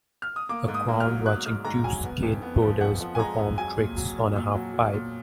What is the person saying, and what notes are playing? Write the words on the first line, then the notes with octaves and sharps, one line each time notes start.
A crown watching two skateboarders perform tricks on a half pipe.
F6
D#6
A#3 D6
G#2
D#6
A#3
F6
F#3
F#3 F#6
G#2 F6
G#2 A#5
F#3 G#5
B3
F2
B3
F3
F2 F#5
F3
G#5
G#3 A#5
F2
F#3 G#5
A#2
F#3
A#2
A#2
F#3
F#3
A#2